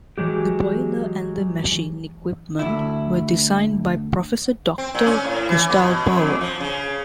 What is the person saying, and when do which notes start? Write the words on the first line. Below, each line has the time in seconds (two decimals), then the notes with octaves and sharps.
The boiler and the machine equipment were designed by Professor Doctor Gustav Bauer.
0.18 E3 F#3 G#3 G4
2.59 D2 E4
4.78 C4
4.95 A#2
5.06 C#4
5.24 A2
5.49 E3
5.70 B3
5.82 B2
6.06 F2
6.41 F3
6.60 C#3